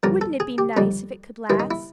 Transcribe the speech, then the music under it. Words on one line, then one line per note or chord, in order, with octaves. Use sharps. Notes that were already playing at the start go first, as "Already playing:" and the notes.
Wouldn't it be nice if it could last?
F2 D3 G3 A#4
A4
G#4
G4
F2 D3 G3 D#4
G2 D#3 G3 E4
D#4
E4